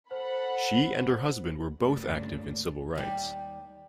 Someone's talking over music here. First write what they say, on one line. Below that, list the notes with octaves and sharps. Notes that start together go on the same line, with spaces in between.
She and her husband were both active in civil rights.
A4 C5 F#5 B5
D2 G2 A#2 C#3 D4
D#2 G3